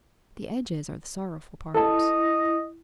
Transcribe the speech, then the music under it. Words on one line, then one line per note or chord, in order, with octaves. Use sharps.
'The edges are the sorrowful parts.'
E4 A4 D#5 A5